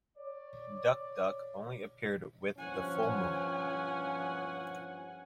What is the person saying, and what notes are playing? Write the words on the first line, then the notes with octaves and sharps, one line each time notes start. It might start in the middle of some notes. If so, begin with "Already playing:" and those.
Duk-Duk only appeared with the full moon.
C#5 D5
G2 F3 C#4 F#5 G#5